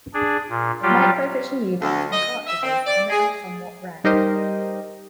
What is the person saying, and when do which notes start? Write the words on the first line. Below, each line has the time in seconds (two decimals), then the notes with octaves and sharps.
Microvision units and cartridges are now somewhat rare.
0.14 D4 G#4
0.50 A#2
0.82 F#3 G3 F4 G4
1.82 D2
2.12 D#5
2.47 E5
2.63 C4
2.86 D5
3.09 G#4
4.04 G3 D#4 G4 A#4 C5 D#5